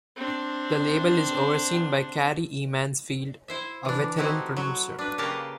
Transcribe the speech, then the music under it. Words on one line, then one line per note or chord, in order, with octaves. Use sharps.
The label is overseen by Cary E. Mansfield, a veteran producer.
C4 D4
E4 C5 E5
E3 D4
A3 C4 D#4 E4 F#4 G4
F#3
D4 B4
C#3 A#3 G4 A#4 B4 A5